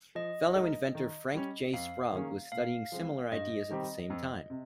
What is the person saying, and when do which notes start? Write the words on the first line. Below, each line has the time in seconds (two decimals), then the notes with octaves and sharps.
Fellow inventor Frank J. Sprague was studying similar ideas at the same time.
0.15 F3 D#5
0.55 G#3 D#4 A#4
0.95 D#3
1.34 G3 C#4
1.73 F2 F5
2.13 D#3 A#3 C#4 G#4
2.52 A#2 F5
2.92 F3 G#3 C4
3.32 G2 D#5
3.71 D#3 G3 C4 G4
4.10 F2
4.50 C3